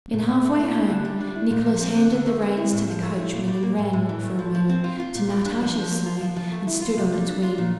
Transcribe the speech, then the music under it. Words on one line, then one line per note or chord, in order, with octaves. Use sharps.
When halfway home Nicholas handed the reins to the coachman and ran for a moment to Natasha's sleigh and stood on its wing.
A#2
A#2
A3
E4
F4
D3
G3
D4
E4
A#2
F3
C4
D3
D3
A3
C4
E4
A2
F3
A3
E4
A#2
G3
A#3
A2
A2
E3
A3
F3
F3
C4
F4
F4
A#2
G3
D4
F3
F3
A#3
F4
F3
F3
A3
E4
F4
C3
G3
D4
F4
A#2